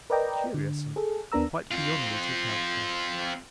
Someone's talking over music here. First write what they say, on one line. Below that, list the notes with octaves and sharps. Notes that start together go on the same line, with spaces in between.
Curious, and quite beyond me to account for.
A#4 B4 D5 D#5 G5 A#5
D3
G#4 A4
D#2 B3 D4 A#4 A#5 E6
C4 F4